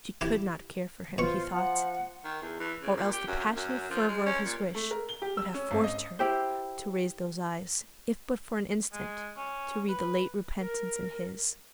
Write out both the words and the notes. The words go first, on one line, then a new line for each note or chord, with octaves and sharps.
She could not care for him, he thought, or else the passionate fervour of his wish would have forced her to raise those eyes, if but for an instant, to read the late repentance in his.
E4 G4
B2 F4 C5 C#6
F3 F#5
D#3
E2
E3
C#3
A#2
G4
F#2
F#2
F3
G#3
C#4
A#2
A3
A#4
G7
G4
E6
C#4
G#1
D#5
E4 G4 C5
G#3
C#4
B4
A#4